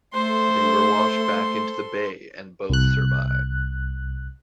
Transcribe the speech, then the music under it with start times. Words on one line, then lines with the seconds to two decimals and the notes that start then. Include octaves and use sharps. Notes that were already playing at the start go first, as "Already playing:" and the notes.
They were washed back into the bay and both survived.
0.13 A3 A4 C5 C6
2.70 C2 F#6